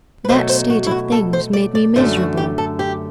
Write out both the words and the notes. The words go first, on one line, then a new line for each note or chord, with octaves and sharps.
That state of things made me miserable.
B4
B2 F#3 A3 C5
C5
F#4
E4
F#4
A4
C5
D5
D5
F#2 D3 A3 C5
F#4
G4
A4
G4